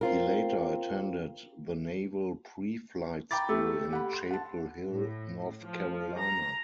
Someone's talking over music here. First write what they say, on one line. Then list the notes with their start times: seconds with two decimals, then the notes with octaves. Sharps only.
He later attended the naval pre-flight school in Chapel Hill, North Carolina.
0.01 C4 F4 A#4
3.31 G5 A#5 B5 D6 A6
3.49 A3 G4 A4
3.91 G4 F#5 B5
4.13 C6
4.31 F#5 A5
4.90 A2
5.63 F3
6.17 A#5